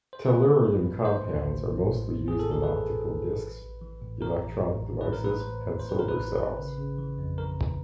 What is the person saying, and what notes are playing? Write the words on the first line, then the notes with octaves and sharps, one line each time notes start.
Tellurium compounds are mostly used in optical disks, electronic devices, and solar cells.
C5
E3 B4
A2
A1
A2
E3 C5
A2
A1
A1
A1
A2
A2 G#4
E3 A4
A#4
A1 B4
E3
A2
A1
A1
A1
E3
A2
E3 A#4
A1
A2
A1
A1 B4
A#4
A2 B4
A1 C5
A1
A2 C5
B4
A2 A#4
B4
A1
A1
C#3
C#3
E3
F2
E3 A#4
F2